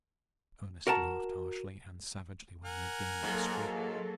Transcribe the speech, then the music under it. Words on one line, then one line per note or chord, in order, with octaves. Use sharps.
Ernest laughed harshly and savagely when he had gained the street.
F#4 A#4 F#5 A5 A#5
A#4 F#5 G#5
G#2 F#3 A#3 A4